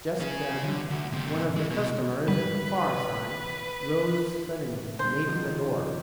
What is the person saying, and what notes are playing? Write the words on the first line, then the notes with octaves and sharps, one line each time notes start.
Just then one of the customers at the far side rose suddenly and made for the door.
C#4 G#4
D3
D2
G#2 C3
C#3 G#3
B1 B2
G#2 D3 G3 B4
D3 G3 C5
D#3 F3 F#3